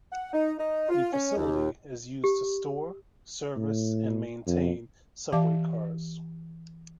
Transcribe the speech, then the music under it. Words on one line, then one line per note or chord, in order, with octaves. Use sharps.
The facility is used to store, service and maintain subway cars.
F#5
D#4
D#4
F4
C#4
D#2
G4
A2
F2
E3 G4 D5 F5 A5 D6